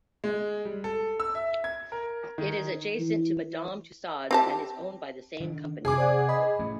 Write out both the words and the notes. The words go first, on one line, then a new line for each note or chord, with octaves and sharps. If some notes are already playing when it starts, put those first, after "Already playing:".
It is adjacent to Madame Tussauds and is owned by the same company.
G#3
G3
A4
E6
E5
G#6
A#4
D#3
E3
C4 G4 A5
D#3 D4
C3 G#4 D6
C5 D5 F#5
D#5 B5
A1 A3 C#4